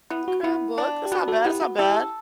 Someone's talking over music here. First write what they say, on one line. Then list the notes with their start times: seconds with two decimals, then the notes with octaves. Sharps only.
Okay, a book, that's not bad, that's not bad.
0.10 B3 E4
0.28 F#4
0.43 B3 E4
0.78 D4
1.05 G4
1.12 B3 F#4
1.28 F#4 A4
1.45 B3 E4 G4
1.62 F#4
1.79 E4 G4 A4